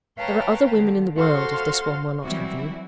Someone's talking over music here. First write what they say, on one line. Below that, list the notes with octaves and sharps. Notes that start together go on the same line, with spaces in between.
'There are other women in the world, if this one will not have you.'
B4 C#5 F5 G5 A5 A#5
D3 D#3
F#4 A4 C5 F5 C6 F6
E3 F#3 G3 C4 E4 F#4